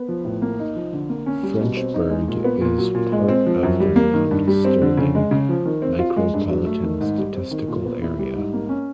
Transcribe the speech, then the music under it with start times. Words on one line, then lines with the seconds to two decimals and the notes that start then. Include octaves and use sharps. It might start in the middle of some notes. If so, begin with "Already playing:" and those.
Frenchburg is part of the Mount Sterling Micropolitan Statistical Area.
Already playing: B3
0.09 F3
0.25 A2
0.42 A#3
0.59 D#4
0.76 F3
0.93 D3
1.09 A#3
1.26 C#4
1.43 G3
1.60 B2
1.77 C4
1.94 D#4
2.10 G#3
2.28 A#2
2.44 B3
2.61 A#2
2.78 F#3
2.95 A#2
3.12 G#3
3.29 C4
3.46 F3
3.63 F#2
3.80 G3
3.96 A#3
4.14 D#3
4.31 G2
4.48 G3
4.65 C4
4.82 D3
4.97 C#3
5.15 G#3
5.31 C#3
5.49 F3
5.65 D#3
5.82 C4
5.99 F4
6.16 G#3
6.34 G2
6.49 F#3
6.66 A3
6.83 D#3
7.01 G#2
7.18 G3
7.34 C4
7.51 D#3
7.68 A#2
7.85 B3
8.02 E4
8.19 G3
8.35 G#2
8.53 A#3
8.69 C#4